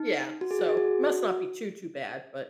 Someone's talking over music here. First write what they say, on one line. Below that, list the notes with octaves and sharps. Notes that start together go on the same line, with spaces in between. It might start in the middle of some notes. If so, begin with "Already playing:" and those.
yeah. So must not be too, too bad, but,
Already playing: D#4
F#4
G#4
F#4
G#4
F#4